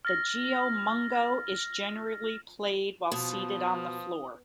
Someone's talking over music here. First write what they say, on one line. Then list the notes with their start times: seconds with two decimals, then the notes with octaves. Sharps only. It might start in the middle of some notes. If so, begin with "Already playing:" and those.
The "geomungo" is generally played while seated on the floor.
0.05 F6 A6 A#6
3.12 B2 F3 D#6